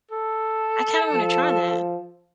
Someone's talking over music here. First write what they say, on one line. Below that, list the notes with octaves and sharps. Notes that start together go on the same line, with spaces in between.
I kinda wanna try that.
A4
F3